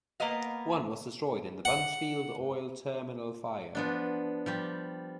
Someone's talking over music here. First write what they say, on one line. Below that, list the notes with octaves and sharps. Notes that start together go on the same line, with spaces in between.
One was destroyed in the Buncefield Oil Terminal Fire.
A#3 B3 B4 D#5 F5
F#5
F3 B3 D4
F3 G3 G4